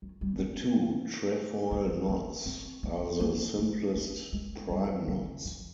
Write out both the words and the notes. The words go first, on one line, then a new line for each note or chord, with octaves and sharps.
The two trefoil knots are the simplest prime knots.
F#3
G3
B3
B3
A#3
C4
B3
A#3
A3
A#3
G#3
G3
F#3
F3